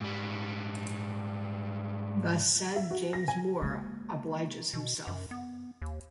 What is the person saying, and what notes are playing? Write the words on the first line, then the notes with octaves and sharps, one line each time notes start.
The said James Moore obliges himself.
G#2 G3
E5
F#4
A#6
G#5
G#3 A#3
B2
F#2
B3
D#2